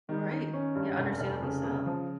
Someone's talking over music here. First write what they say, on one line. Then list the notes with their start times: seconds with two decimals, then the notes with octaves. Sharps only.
Right. Yeah, understandably so.
0.09 D#3
0.31 D#3
0.53 C#4
0.75 G2
0.98 F1
1.20 F1
1.42 C#3
1.64 C#3
1.86 F3